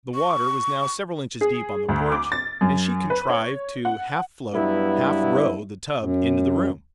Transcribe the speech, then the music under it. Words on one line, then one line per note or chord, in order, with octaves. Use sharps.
The water was now several inches deep on the porch and she contrived to half-float, half-row the tub into the room.
C#6
G#4
D2
D6
A6
F#2
B4
C#5
F#5
G2 F#3 B3 E4
F#2